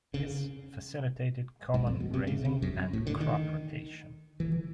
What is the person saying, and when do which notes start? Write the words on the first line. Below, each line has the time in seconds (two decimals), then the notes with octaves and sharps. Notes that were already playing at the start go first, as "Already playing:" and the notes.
This facilitated common grazing and crop rotation.
0.14 C#3
1.74 G#2
1.87 F2
2.00 B2
2.14 C3
2.27 C#3
2.45 C3
2.62 F#2
2.93 A2
3.07 D3
3.21 D#3
4.40 E3